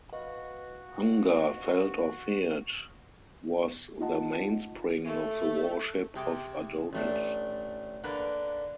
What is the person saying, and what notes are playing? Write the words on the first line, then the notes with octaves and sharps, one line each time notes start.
Hunger, felt or feared, was the mainspring of the worship of Adonis.
F#4 B4 D#5 F5
D#4 F4 D#5 F#5 A5
A3
C3 G#4 G5 C#6 D6
A1 A3 D4
D3 A#3 D4 B4 D5